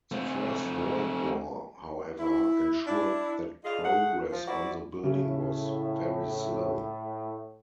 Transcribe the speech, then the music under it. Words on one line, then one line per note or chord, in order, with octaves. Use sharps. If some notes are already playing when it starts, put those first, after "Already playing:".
The First World War, however, ensured that progress on the building was very slow.
A3 C4
E4
D4 E4
F4 G#4 D5 D#5 F5
A3 G#4 F#5
F3
E4 F#4 C5 D5
A2 C#3 C#4 E5